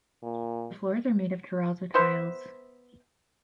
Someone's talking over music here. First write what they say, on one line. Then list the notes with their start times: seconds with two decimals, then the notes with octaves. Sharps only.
The floors are made of terrazzo tiles.
0.22 A#2
1.94 B3 C5 E5